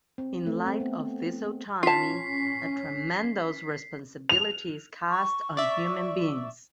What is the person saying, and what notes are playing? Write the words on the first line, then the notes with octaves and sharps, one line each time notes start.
In light of this autonomy, a tremendous responsibility is cast on Human beings.
C4
A3
C4
B3
C#4 F4 A5 B6 C7
F7
C#6
D5 E5